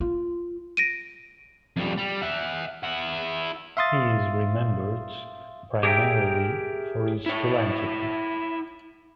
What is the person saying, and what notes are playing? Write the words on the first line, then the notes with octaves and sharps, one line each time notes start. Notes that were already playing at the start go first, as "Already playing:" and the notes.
He is remembered primarily for his philanthropy.
F4
A#6 D7 D#7
F2 G3
G3
E5 F#5
E4 F#5
E5 F5 C6 D#6 A6
G4 G#4 A#4 C#5 E5 G5
E4 C#5